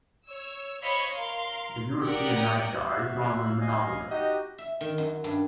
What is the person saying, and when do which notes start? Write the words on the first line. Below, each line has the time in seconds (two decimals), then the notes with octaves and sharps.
The European nightjar is normally monogamous.
0.25 C#5 E6
0.81 C5 C#5 D#5 F5 B5 C#6
1.12 A#4 F5 C6
2.02 G4 A#4 D5 D#5 F#5 G5
2.89 F#4 E5 F5
3.61 D#5 F5 G#5
4.10 D#4 F#4 G4 D#5
4.58 E5
4.81 D#3
4.98 F#2
5.24 G2